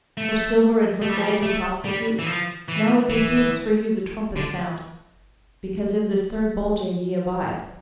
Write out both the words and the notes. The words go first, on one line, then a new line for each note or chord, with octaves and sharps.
For silver and for gold do prostitute, Now it behoves for you the trumpet sound, Because in this third Bolgia ye abide.
A3
A3
G3
F3
G3
A3
G3
E3
F3
E3
E3
D3